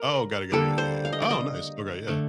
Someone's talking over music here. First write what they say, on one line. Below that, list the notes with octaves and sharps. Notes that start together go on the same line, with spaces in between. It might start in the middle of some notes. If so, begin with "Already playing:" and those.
Oh, got it, got it, yeah, yeah. Oh nice, okay, yeah.
Already playing: A#4
D3 G3 A#3 A4
C5
F5
D#5
D5
D#5
D3 A3